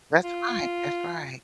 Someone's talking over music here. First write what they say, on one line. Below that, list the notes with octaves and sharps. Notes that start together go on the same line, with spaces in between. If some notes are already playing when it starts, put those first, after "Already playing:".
That's right, that's right.
F4